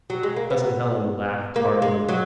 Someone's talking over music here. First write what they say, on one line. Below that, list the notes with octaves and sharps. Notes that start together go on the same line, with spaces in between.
Cousin Helen laughed heartily.
F#3
G#3
A#3
B3
A#3
G#3
F#3